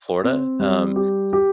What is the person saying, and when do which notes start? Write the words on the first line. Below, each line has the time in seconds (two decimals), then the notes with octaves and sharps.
Florida, um,
0.23 C4
0.60 G3
0.96 G4
1.33 G4